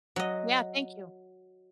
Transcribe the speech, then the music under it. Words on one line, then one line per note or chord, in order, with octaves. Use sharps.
Yeah, thank you.
F#3 D#5